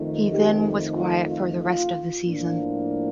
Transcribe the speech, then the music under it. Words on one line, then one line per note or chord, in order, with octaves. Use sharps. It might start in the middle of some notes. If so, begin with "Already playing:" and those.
He then was quiet for the rest of the season.
Already playing: F2 D#3 A3
D#4 G4
F4
F4
F4
A2 F3 A#3 D4